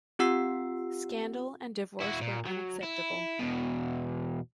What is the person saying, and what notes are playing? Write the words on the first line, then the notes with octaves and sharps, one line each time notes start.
Scandal and divorce were unacceptable.
C4 F4 G4 F#5 E6 C7
E4 F#4
A#2
F#3
E4
E2 B2